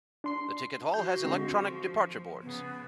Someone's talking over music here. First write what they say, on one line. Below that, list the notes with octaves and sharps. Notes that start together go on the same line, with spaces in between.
The ticket hall has electronic departure boards.
D4 C6 C7
F3 F#4 G6
D3 G#3 C4
C#3 B3